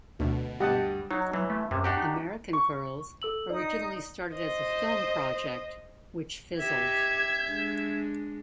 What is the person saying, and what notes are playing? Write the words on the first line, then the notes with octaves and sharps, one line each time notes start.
American Girls originally started as a film project, which fizzled.
D2 B2
G2 G4 D#5 F#5 A5
F#3 D#4
E3 F#3
A3
F#2 C3
D4 F#4 G4
D#4
C#6
A4 E6 F#7
D#4 D5 D#6
C5 D#5
D#4 G4 E5 G#6
G#3 D4